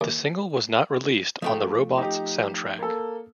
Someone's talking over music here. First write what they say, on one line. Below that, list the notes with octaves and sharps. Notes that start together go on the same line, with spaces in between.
The single was not released on the "Robots" soundtrack.
D#2
F3 A3 G5
D#4 G4
A#3 A4